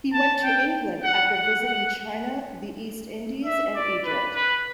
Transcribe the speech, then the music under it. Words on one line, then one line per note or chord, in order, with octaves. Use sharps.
He went to England after visiting China, the East Indies and Egypt.
A5
G5
F#5
F#5
F#5
E5
D5
B4
B4